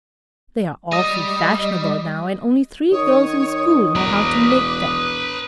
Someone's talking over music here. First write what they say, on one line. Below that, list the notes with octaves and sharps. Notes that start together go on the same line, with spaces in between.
They are awfully fashionable now and only three girls in school know how to make them.
G3 D#5 D#6 A#6 D#7
D#3 C#5 D#6
E1 B4 A#5 D6